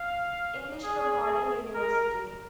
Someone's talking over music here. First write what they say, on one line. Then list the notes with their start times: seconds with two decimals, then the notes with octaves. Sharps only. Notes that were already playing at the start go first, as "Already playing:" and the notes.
English from Harding University.
Already playing: F5
0.83 G#4
1.74 A#4